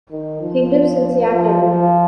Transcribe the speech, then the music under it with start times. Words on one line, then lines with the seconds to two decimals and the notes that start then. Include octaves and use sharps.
He lives in Seattle.
0.11 D#3
0.41 F3
1.32 F3
1.62 F3